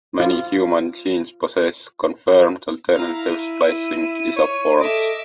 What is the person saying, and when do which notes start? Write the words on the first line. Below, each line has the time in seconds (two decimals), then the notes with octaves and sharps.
Many human genes possess confirmed alternative splicing isoforms.
0.20 F4
2.94 E4 F5 A#5
3.32 D#7
4.36 C#5
4.81 A4 D#5 E5 D6